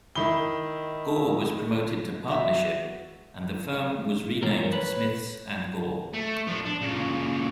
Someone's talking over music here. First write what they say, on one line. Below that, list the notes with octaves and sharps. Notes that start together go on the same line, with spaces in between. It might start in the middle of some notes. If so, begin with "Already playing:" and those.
Gore was promoted to partnership and the firm was renamed Smiths and Gore.
D#3 E4 B5 G7
F#4 E5
E3 F3 A#4 C#5
B4 C#5
A3
F3 D4
D4
A#2 C#3